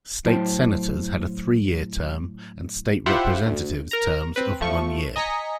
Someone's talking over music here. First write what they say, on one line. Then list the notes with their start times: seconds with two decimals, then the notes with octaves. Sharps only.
State Senators had a three-year term and State Representatives terms of one year.
0.25 A2 F#3 E4 C5 G5 A5
3.06 E4 F4 G4 C5 E5 F#5
3.46 D2
3.91 A#4 A#5
4.36 C4 B4
4.61 F3 A3 C#6
5.16 D#5 G#5 A#5 A#6 B6 C#7